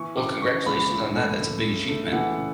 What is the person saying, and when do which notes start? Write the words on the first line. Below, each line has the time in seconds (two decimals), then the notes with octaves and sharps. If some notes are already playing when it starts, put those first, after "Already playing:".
Well, congratulations on that, that's a big achievement.
Already playing: E3 C#6
0.17 C#3 D6
0.41 C#3 C#6
0.66 C#2 B5
0.91 C#2
1.15 A3
1.40 C#2
1.64 C#3
1.88 A3
2.13 E3 F#5
2.38 C#3